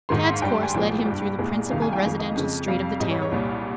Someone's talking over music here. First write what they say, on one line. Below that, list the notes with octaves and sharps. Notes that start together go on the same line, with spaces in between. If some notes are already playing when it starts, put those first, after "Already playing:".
Tad's course led him through the principal residential street of the town.
G#2 D#3 G#3 C6
F5
G2 G3 G5
C6
G#5
C2 A#2 F3 G#3 G5
G2 G3
C2 A#2 G#3
C2 C3 D#3 G#3 F5
G#5
G5
F2 D#3 G#3 F5
D#5
F2 C#3 G#3
F2 C3 G3 F5
G#2 G3 D#5
C#5
C#5
C2 A#2 G3